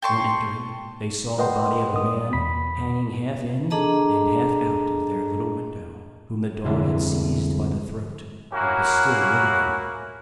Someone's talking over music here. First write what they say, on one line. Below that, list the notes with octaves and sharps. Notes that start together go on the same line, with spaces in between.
On entering they saw the body of a man hanging half in and half out of their little window, whom the dog had seized by the throat, and was still worrying.
G5 A5 C6 C#6
A#4 B4 D#5 F#5 G5 C6
D#6
E2 B5 B6
D4 G#4 A4 D#5 A5 A#5
C2 F2 D3 G#3 E4
A#3 C#4 E4 F#4